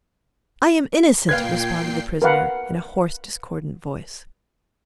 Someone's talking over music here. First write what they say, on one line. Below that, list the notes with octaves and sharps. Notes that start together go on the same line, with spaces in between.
"I am innocent!" responded the prisoner, in a hoarse, discordant voice.
C#2 A#2 B4 F5 G5 G#6 C7
A#4 B4 F5 F#5